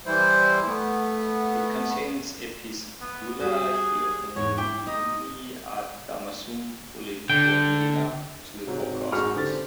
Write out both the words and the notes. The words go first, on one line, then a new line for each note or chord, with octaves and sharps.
It contains Epistula Hieronymi ad Damasum, Prolegomena to the four Gospels.
E3 G3 E4 C5
A3 B3
B3
G3 F#4 G#4
E2 G#2 C#5
E4 G5 D6
D#4 D#5
D3 G5
G#2 C3 F#3
G#2 G#3 F#4 C#6 F6
D3 C4 G4 A6